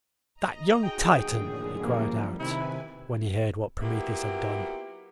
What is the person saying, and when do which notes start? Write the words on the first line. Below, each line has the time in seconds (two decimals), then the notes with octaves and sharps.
"That young Titan!" he cried out, when he heard what Prometheus had done.
0.34 D#5 A#5
0.83 D#4 F#4 G#4 G5
1.24 A#1 F#2 A2 D3 D#3
1.84 F3 G3 A#3
2.40 C3 D#3 E4 B4 G#5
3.82 F#3 A#3 B3 E4 F4 G4